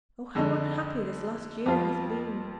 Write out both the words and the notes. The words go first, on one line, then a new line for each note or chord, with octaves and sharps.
Oh, how unhappy this last year has been!
F2 D3 G#3 D#4
F2 F3 B3 F4